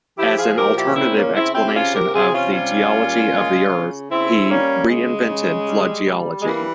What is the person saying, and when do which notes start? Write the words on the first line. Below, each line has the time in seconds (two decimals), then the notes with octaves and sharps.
As an alternative explanation of the geology of the earth, he re-invented Flood Geology.
0.17 F3 E4 G4
0.37 F4 G#4
0.56 A#2 G4 A#4
0.76 E4 G4
0.96 C#3 C4 E4
1.16 A#3 C#4
1.35 C#3 C4 E4
1.54 C4 E4
1.67 G4
1.75 C3 C#4 F4
1.94 G4 A#4
2.14 C3 F4 G#4
2.34 C#4 F4
2.53 G3 C#4 F4
2.93 A#2
3.32 G#3
3.71 C#3
4.10 C#3 C4 E4
4.49 G3 A#3 C#4
4.89 C#3 G#3
5.28 C#3
5.67 G3
6.06 G3
6.41 G#3
6.46 E3 A#3